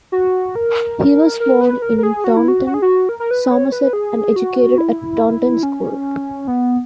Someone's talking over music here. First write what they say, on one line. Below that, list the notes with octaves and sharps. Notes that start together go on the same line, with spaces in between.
He was born in Taunton, Somerset and educated at Taunton School.
F#4
A#4
A#4
B4
A#4
A#4
G#4
F#4
E4
F#4
F#4
G#4
F#4
A#4
A#4
B4
C#5
B4
G#4
F#4
E4
C#4
B3